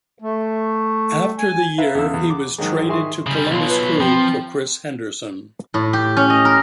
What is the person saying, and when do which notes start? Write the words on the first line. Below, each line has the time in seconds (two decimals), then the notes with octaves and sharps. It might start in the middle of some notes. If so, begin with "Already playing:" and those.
After the year, he was traded to Columbus Crew for Chris Henderson.
0.22 A3
1.39 G#5
1.78 B4 E5 F5 A#5
1.95 E2 C#3 A4 F5 E6
2.14 E2
2.30 D6
2.58 G#2 D#3 F#3 G#3
2.89 D#3 G#4 E5 C6 C#6
3.27 C#3 G3
3.51 B1 B2 F4
3.70 B4
4.00 F3 C4
5.74 A2
5.93 G4
6.17 C#4
6.30 D#5
6.45 A#4